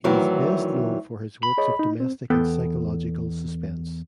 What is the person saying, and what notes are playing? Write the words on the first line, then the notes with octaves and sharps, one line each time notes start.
He is best known for his works of domestic and psychological suspense.
D2 D#3 E3 F#3 E4 F#4
B5
G#4 C#5 D#5
D#4
C4
E2 B3 A4 G5